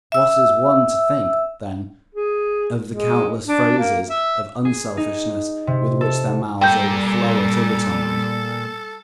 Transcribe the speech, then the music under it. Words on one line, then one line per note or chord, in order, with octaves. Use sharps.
What is one to think, then, of the countless phrases of unselfishness with which their mouths overflow at other times?
E5 E6
G#4
G#3
D4
A#3
E5
G#4
D#4
C3
A4
A#2 G3 A4 G5 G6